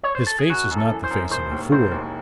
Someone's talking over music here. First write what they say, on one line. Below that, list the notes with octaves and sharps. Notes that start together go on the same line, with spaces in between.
His face is not the face of a fool.
C#5
C5
A4
G#4
F#2 F#4
F#2
A4
E3
C5
F#2
E1 C5
D#2
E1 C5
D#2